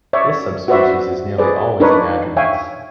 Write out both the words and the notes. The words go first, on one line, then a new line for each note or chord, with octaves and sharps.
This subspecies is nearly always anadromous.
C#5 D5 E5
F#4 B4 C5 D5 E5 F#5
G#4 B4 C5 D5
D4 D#4 A#4 B4 C#5
C#5 E5 F5 G5 G#5